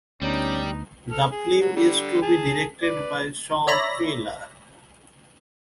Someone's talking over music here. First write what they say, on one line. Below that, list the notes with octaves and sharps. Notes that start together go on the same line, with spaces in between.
The film is to be directed by Shawn Piller.
D2 G3 B3 C#4 D#4
A4 F6
G#4
F#3
D3 G3
G#4 A5
B4 D5
C#5 D5 E5 A#5 B5 A#6